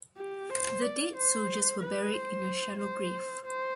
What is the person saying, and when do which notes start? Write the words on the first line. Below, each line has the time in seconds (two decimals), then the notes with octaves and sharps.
The dead soldiers were buried in a shallow grave.
0.17 G4
0.50 C5
0.82 D5
1.16 C5
1.81 B4
2.14 C5
2.79 C5
3.45 C5